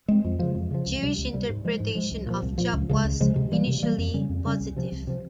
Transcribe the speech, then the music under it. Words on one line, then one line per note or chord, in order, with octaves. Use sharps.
Jewish interpretation of Job was initially positive.
G#3 C4
F2
C#3 F3
F2
C#3 F3
C#2
C3 G3
C#2
C3 G3
G#2
F3 G#3
G#2
F3 G#3
C2
A#2 F3
C2
A#2 F3
C#2
C#3 F3 G#3
C#2
C#3 F3 G#3
C3
E3 G3 A#3
C3
E3 G3 A#3
F2
C#3 G3 C#4
F2
C#3 G3 C#4
C2
C3 F3
C2
C3 F3